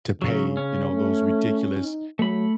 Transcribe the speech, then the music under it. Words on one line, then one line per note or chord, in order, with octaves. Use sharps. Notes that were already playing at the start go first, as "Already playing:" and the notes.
to pay, you know, those ridiculous,
C#3 F#3 C#4
C#4
A3
D#4
F#3 A3 B5